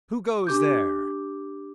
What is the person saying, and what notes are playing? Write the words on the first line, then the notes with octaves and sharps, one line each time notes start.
"Who goes there?"
D4 G4 D6 G6